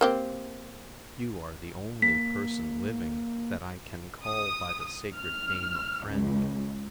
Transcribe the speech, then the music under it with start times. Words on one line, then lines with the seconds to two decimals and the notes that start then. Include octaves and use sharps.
You are the only person living that I can call by the sacred name of friend.
0.01 A#3 C4 G4
2.02 A#3 B6
4.24 D#6
5.16 F6
6.07 C#2